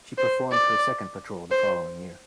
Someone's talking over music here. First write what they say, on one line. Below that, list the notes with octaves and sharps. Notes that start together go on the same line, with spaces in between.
She performed her second patrol the following year.
C5
D5
C5